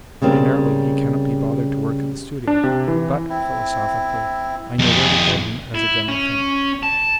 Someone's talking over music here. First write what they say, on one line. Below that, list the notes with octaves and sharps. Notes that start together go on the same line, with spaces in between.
Ordinarily he cannot be bothered to work at the studio. But"--philosophically--"I know where to get him as a general thing.
C#3 G3 A#3 C4
D4
C3
E3
C4 E4
F2 G#3 G#4
E4
C#4
A5